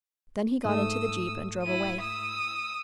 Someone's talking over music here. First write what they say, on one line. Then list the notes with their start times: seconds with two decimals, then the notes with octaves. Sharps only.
Then he got into the jeep and drove away.
0.65 G#2 A3 D#6 E6
1.62 E4 D#7
2.01 D#6 E6